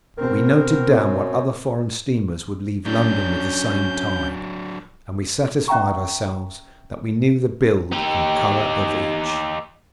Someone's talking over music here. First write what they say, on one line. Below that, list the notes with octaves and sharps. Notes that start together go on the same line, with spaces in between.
But we noted down what other foreign steamers would leave London with the same tide, and we satisfied ourselves that we knew the build and color of each.
B2 C4 A#4
F#2
F#3 C#4 D4 G6
C#4 E5 G5 A#5 C#6
D#4 G4